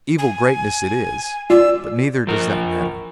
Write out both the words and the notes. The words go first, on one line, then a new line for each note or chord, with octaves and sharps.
Evil greatness it is--but neither does that matter.
G#5
F4 D5 E6
F3 A#4